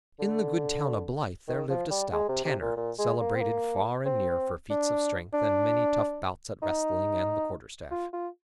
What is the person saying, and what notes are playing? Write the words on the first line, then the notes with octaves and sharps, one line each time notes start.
In the good town of Blyth there lived a stout tanner, celebrated far and near for feats of strength and many tough bouts at wrestling and the quarterstaff.
D3
D#3
F3
G3
G#3
C3
C3
A#2
A#2
G#3
A#3
C4
A#3
C4
D4
D4
D#4
F4
F4